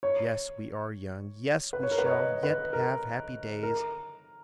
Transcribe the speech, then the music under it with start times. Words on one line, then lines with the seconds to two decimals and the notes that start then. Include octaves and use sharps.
Yes, we are young; yes, we shall yet have happy days!
0.03 C#5
1.73 B4
1.83 C#5
1.91 A#4
1.98 B4
2.06 C#5
2.12 D#5
2.43 B4
2.73 A#4
3.63 A#4